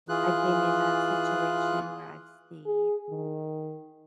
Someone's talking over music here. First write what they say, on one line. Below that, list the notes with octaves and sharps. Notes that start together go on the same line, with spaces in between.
I've been in that situation where I've stayed,
E3 F4 G#4 F#6
G#4
D#3